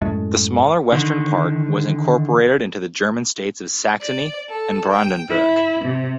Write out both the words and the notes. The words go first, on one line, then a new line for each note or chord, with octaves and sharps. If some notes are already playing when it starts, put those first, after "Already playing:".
The smaller western part was incorporated into the German states of Saxony and Brandenburg.
F#2 A2 G#3 A3
D3 D#3
D5
A4
G5
E4
C3